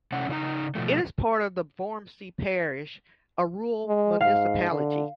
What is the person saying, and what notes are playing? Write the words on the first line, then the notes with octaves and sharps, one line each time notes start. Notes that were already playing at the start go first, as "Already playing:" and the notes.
It is part of Vormsi Parish, a rural municipality.
C3 A3 C#4 F#5
C#3 D4 D#4 A#5
B2 F3 A3
G#3
G#2 F5
D3